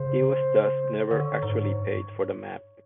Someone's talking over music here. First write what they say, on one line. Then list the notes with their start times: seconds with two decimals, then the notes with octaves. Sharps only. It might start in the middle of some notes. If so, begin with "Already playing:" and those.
He was thus never actually paid for the map.
Already playing: C#3 C5
1.11 D3 C#5
1.43 G#2
1.73 G2